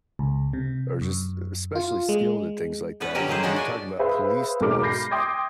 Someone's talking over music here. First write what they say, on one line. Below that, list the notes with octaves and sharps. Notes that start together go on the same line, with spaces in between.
are just especially skilled at things like that, and you're talking about police dogs,
C#2
C3
F#2
F4
G#3
B3 C#4 A4 B4
D3 F#3 G3 C#4 A#4 B4
D#3 F#3 A#3 G#4 C5
G#3 C#4 D4 F#4 A4
D5 G#5
G#4 B4 C5 E5 F5
B1 G#2 G#3 A#4 D6 F6
B5 G6 A#6 C7
G5 C6 D6 D#6 G6 G#6